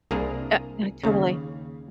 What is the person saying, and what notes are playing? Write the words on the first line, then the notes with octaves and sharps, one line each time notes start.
Uh, yeah, totally.
C2 A#3 D4 G#4 A#5
D#2 C#3